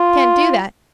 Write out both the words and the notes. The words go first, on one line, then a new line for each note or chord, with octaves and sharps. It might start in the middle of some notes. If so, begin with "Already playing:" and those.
Can't do that.
Already playing: F4